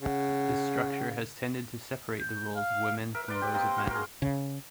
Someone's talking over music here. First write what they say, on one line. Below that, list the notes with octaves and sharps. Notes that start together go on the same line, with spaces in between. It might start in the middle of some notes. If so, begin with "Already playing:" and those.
This structure has tended to separate the roles of women from those of men.
C#3 F#5
G6
F5
A#4 E5
B4 D5 C6
G4
A#3 C4 D#5 D#6
F#4 F5 C6
G#4 A#4
C#3